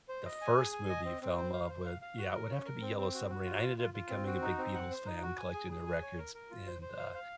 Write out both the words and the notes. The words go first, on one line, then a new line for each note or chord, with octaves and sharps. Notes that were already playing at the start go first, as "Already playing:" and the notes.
the first movie you fell in love with, yeah, it would have to be Yellow Submarine, I ended up becoming a big Beatles fan collecting their records, and, uh,
C5
D#5
G#5
G#4
G#5
D#5
C4
C4
C5
F5
C5
F5
F5
F#4
A#4
C#4
A#4
C4
C4
F#4
F#4
F4
F4
F4
F4
C4
F#4
D#4
C4
F#5
C5
D#4
F#4
G#5
G#4
G#4
G#5
C#5
A#4
A#4
F4
C5
C5
F5
F5